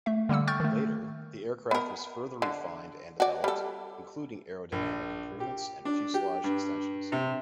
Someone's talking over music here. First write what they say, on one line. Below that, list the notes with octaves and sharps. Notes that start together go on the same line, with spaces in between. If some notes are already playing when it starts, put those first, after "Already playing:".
Later, the aircraft was further refined and developed, including aerodynamic improvements and fuselage extensions.
A3 E5
D3 G3 A#3 F#5 E6
G5 C#6 F6 G6 A6
D#3 A3
B3 A#4
D3
F#4 D5
G3 A4
A#1
G4
D4
G4
G2
C3